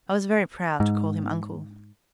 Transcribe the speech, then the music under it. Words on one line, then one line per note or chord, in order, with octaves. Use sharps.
I was very proud to call him uncle.
G#2